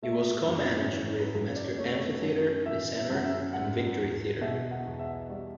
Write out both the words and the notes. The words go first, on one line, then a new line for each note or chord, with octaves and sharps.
It was co-managed with Mesker Amphitheatre, The Centre, and Victory Theatre.
A3 E5
F#2
E3 C#5
B4
F#2
C#5
D5
C#5
A3 C#5
B4
C#5
F#2
E3 E5
E5
F#2 F#5
E5
G3 F#5
E2
B2 E5
F#5
E2
E5
G3